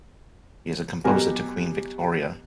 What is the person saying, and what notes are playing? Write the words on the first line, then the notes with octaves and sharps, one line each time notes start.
He is a composer to Queen Victoria.
B2 F#3 G4 A#4 G#5